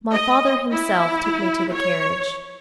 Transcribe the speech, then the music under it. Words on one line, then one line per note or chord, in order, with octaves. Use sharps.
My father himself took me to the carriage.
D#5
E4
C#5